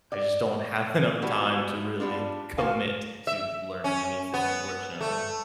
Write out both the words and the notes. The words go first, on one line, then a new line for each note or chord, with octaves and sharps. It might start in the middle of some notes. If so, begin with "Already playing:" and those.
I just don't have enough time to really commit to learning anything, unfortunately.
D5
G3 A3 B3 E4 F#4
G3 B3 D4 F4
A3 F4 F#4 A#4 F5 G#5
E5
C#4
B3
A3